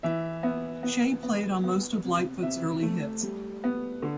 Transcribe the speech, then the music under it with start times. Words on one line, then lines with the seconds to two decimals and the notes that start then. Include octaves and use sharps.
Shea played on most of Lightfoot's early hits.
0.03 E3 E5
0.43 B3 E5
0.83 B3
1.23 B3
1.64 B3
2.04 C3
2.43 C3 E5
2.83 A3
3.23 G3
3.64 B3
4.02 D3